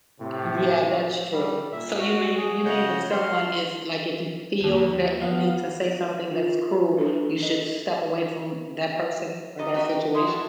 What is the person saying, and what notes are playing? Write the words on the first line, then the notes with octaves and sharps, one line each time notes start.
Yeah, that's true. So you mean you mean if someone is like, if you feel that you need to say something that's cruel, you should step away from that person or that situation?
A2 C3
G3
A#2 E5
F#4
G#4
C#3 C#5 D#5 F#5 G6
F5 C6
D#2 F3 E7
B3 F5
F4
D4 A4 B4
D#5
A4 A#4 D#5 D6
D#4 F#4 D#5 E5
G5 D6
E4 E5 C6 D#6
F#4 E5 A5